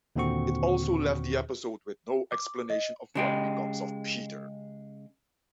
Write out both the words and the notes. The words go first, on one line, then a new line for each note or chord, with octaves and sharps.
It also left the episode with no explanation of what becomes of Peter.
D#2 A#2 D3 C4 F#4 C#6
D6
D#5
C#3 G#3 G4